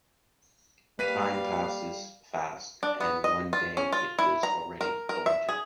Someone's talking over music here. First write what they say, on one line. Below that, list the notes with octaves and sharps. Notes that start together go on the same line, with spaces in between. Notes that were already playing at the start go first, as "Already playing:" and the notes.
Time passes fast, and one day it was already a winter.
G3 A#3 B4 F5 B6 D#7
D4
B3
D#5
F4
C#4
F4
E4
A#5
A#4
A#4
E5
G#4